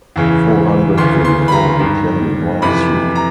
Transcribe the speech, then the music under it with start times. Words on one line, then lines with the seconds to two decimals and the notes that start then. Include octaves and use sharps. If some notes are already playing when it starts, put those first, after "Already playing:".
Four hundred thirty-four Etienne Lenoir Street.
0.16 E2 C#3 E3
0.98 D2 C#3 E3 C6
1.25 C6
1.48 B5
1.52 A#5
1.79 G2 D#3
2.62 F2 C3 E3 B5
3.15 A#5